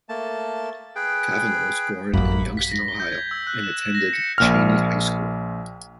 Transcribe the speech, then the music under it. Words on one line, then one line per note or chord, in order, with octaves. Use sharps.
Cavanaugh was born in Youngstown, Ohio, and attended Chaney High School.
A3 A#3 A5
G#4 B4 G5
A1 F#2 A#3 B5
B6
A#6
G7
G6
G#6
E6
F#6
E7
E7
A#6
C#7
A#1 A#2 F6